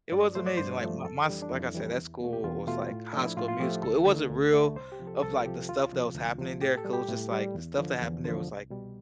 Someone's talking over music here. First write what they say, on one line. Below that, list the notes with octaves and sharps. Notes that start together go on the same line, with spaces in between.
It was amazing. Like, my my s like I said, that school was, like, High School Musical. It wasn't real of, like, the stuff that was happening there 'cause it was just, like, the stuff that happened there was, like,
G2 D5
F3 A3 C5
D5
G2 C5
F3 A3
F2 A4
E3 G3 D4
D4
F2 E4
E3 G3
E2
B2 A3
G4
E2 F4
B2 A3 F4
A2
F3 A3 D4
E4
A2 F4
F4
F3 A3 G4
D2 A4
D3 A3
D2
D3 A3
C2 C5
G4
C3 F3
A4
C2 A4
F4
C3 F3 G4
D2 F4
C3 F3
D2
C3 F3
A2 G4
A4
G3
G4
A2
G3
E2
D3 F3
E2
D3 F3
C2
B2 G3